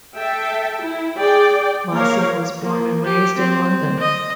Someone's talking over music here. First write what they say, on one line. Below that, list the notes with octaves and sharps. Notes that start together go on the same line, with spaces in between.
Lawson was born and raised in London.
A4 E5 G5
E4
G#4 D5 G5
A#3 A#4 C#5 F5
A#3
G4
C4
D#5